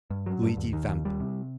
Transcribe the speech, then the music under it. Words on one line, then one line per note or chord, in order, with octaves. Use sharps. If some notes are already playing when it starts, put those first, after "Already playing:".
Luigi Vampa.
G2
F#3
G2
D#2
D#3
D#2
G3
C3